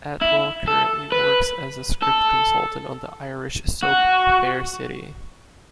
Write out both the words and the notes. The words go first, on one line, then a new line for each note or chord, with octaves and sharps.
Atwell currently works as a script consultant on the Irish soap Fair City.
E4
A4
B4
A4
F#4